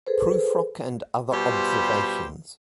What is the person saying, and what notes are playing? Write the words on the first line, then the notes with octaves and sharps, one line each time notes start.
"Prufrock and other observations".
G#4 A4 B4 C5
B2 G3 F4 G4 C5 B5